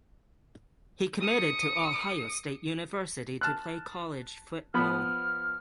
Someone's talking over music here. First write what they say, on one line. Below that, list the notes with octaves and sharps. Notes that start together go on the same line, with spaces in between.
He committed to Ohio State University to play college football.
D#6 C#7
A5 F6 F#6
F3 B3 B5 F6